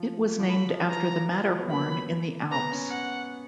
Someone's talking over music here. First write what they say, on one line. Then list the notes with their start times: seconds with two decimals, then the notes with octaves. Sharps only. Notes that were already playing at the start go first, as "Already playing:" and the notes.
It was named after the Matterhorn in the Alps.
Already playing: F3
0.39 F3
0.49 F#3 B5
0.69 F3
0.89 E3 A#5
1.10 F3
1.30 F3
1.51 F#3
1.60 B3
1.70 A#3 B5
2.51 B3 A#5
2.72 C#4
2.91 F#5